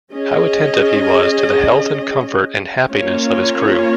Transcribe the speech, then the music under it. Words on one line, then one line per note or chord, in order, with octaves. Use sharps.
How attentive he was to the health and comfort and happiness of his crew!
C#4 G#4 D#5
A#3 C#4 F4 C#5